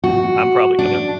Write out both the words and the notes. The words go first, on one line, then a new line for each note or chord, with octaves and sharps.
I'm probably gonna.
F#4
D4